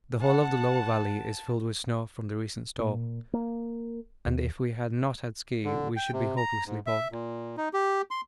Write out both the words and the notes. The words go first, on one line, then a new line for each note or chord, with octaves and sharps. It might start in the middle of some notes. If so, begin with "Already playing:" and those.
The whole of the lower valley is filled with snow from the recent storm, and if we had not had ski we should be hopelessly bogged.
F#5 A5
A#2
A#3
D#2
D3
G5
C3
A#5
G#2
E5
A#2
D#4
G4
C6